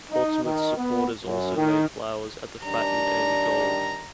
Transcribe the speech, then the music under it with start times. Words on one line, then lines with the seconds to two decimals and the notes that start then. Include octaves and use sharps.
Portsmouth supporters also laid flowers at the Fratton End goal.
0.11 D#4
0.44 D#3
0.77 B3
1.25 F#2
1.56 D#3
2.64 D#3 G3 D4 A#5